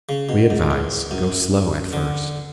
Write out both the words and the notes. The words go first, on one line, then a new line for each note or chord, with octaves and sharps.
We advise: Go slow at first.
C#3
B2
G#2
E2
F#2
D3